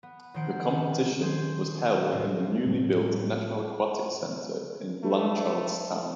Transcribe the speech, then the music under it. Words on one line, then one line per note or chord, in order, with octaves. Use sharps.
The competition was held in the newly built National Aquatic Centre in Blanchardstown.
B3
A#1 D#3 C5 F#5 D7
D#3 G3
G#4 C5
D#2 A2 C3
A2 G3 A3
A3